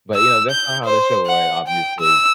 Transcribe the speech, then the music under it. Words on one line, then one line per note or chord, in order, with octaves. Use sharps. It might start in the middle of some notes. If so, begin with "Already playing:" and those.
But, you know, that's not how to show went, obviously.
E6
G6
C5
F#5
G5
E6